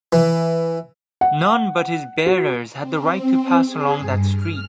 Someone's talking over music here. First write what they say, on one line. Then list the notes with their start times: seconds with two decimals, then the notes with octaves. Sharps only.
None but his bearers had the right to pass along that street.
0.13 E3
1.21 F#5
2.26 F#4
2.77 C4
3.07 C4
3.66 G#4
3.99 G2
4.32 F6